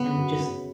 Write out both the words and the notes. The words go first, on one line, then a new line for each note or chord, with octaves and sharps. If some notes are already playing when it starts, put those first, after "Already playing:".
and just
Already playing: C#3 B3
F#2
C#3